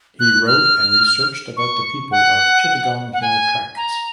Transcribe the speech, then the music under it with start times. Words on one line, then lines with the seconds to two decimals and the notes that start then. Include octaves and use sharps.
He wrote and researched about the people of Chittagong Hill Tracts.
0.20 F#6
0.47 F6
1.57 C#6
2.11 F#5
3.13 F#5
3.22 G#5
3.77 A#5